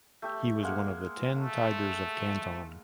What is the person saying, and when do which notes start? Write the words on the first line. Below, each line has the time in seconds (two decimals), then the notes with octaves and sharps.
He was one of the Ten Tigers of Canton.
0.22 A3 G4 E5
0.63 G#3 A#3 F#5
1.36 A3